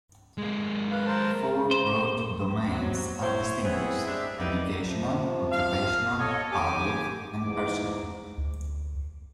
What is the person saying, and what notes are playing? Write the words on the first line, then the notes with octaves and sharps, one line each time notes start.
Four broad domains are distinguished: educational, occupational, public, and personal.
G#3 A#3
B4 F5
A#4 C5 A5
C5
C3 F#3
E4 C5 C#5
B3 C4 E4 G#4
G#3 C4 D4 G4 E5
G3 A#3 B3 D#4 E4 D5
C3 F3
F5
A4 C#5 D#5
D#2 G4 G#5 D6
E2 G#2 D6
D2